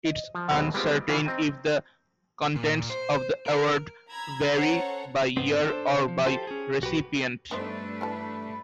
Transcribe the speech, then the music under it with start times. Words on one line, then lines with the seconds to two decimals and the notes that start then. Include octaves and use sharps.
It's uncertain if the contents of the award vary by year or by recipient.
0.05 D#5
0.35 F3
0.50 D#2 B2 F#3 G#3 C4
0.74 G3 G#3 B3 C4 F4 G4
1.09 C#3 E3 D4 E4 F4
1.25 C4 D#5 G5 A#5
2.56 A#2
2.90 C5
3.46 A#4
4.10 A#5 B5 E6 G#6
4.52 C#4 A4 C5 C#5 F#5 A#5
5.37 G#2 B3 C4
5.65 D4 A4 C5
6.08 F3
6.26 F4 G4 A4 C5
6.47 C#4 G#4
6.82 B1 F#4 G4 B4
7.51 G2 A3 B3 D4 D#4 B4 C5
8.01 E3 G3 A4 B5